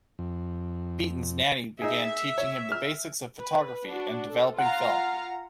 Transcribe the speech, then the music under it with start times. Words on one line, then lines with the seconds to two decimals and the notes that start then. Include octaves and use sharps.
Beaton's nanny began teaching him the basics of photography and developing film.
0.19 F2
1.82 D#4 G#4 E5
2.38 C#5
2.72 F6
3.40 B4
3.85 D4 F#4
4.30 A4
4.59 F4 F5 F#5 A#5